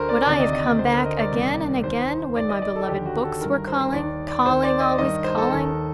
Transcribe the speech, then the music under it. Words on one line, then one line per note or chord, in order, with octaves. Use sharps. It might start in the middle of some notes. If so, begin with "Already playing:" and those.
Would I have come back again and again, when my beloved books were calling, calling, always calling?
Already playing: D2 D3 A#4 C5
D5
D2 C3 D#3 D5
D#5
D#5
D5
D2 D3 C5
A#4
D#5
D5
C2 C3 D#3
D#2 D#3 C5
D#2 D#3 D5
D#5
D5
A4
D#2 D3 G4
F#4
A4
G2 D#3 A#4
A#4
C5
C5
D#2 D#3 D5
D5
D#2 D#3 C5
D5
D#5
G2 D#3 D#5
C5
A4
D#2 D#3 A4